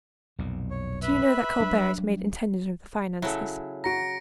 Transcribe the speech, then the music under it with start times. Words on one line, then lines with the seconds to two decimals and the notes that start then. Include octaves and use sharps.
"Do you know that Colbert is made intendant of the finances?"
0.39 B1 F2 A#2
0.71 C#5
1.02 B4 E5 B5
1.60 F#3 G3 D4
3.22 C#3 F#3 E4 A4
3.84 F#4 A#5 A#6 C#7 D7